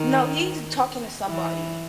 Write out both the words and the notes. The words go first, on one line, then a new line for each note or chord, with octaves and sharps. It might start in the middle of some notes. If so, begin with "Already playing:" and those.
No. He's talking to somebody.
Already playing: D#3
E3